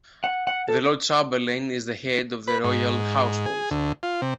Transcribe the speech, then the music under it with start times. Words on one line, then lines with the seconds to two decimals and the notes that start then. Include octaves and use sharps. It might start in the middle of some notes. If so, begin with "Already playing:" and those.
The Lord Chamberlain is the Head of the Royal Household.
0.24 F#5
0.47 F#5
0.68 A4
2.48 B4
2.64 G#2
3.46 G#4
3.71 D2
4.03 F4
4.22 C3